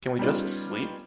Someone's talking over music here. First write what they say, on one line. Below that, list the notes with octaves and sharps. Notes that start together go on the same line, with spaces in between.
Can we just sleep?
G3 B3 C#4 D#4 F4